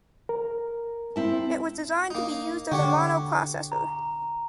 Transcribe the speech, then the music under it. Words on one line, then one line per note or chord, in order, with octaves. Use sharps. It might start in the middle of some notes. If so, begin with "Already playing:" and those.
It is designed to be used as a mono-processor.
A#4
C4 E4 A5
A#3 D#4
D3 F#4 G4 C#5
A#5